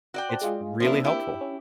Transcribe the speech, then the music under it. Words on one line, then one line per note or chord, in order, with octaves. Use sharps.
It's really helpful.
F#4 D5 G5
C5 A5
G#3 F4 G#4
F3 A#3 C4 D4 E4
E4 G4
C#4